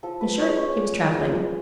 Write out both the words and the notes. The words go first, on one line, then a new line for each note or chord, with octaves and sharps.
In short, he was travelling.
F3 A4
B4
G#3 C#4 F4 C#5
C#5
F3 D5
G#3 C#4 F4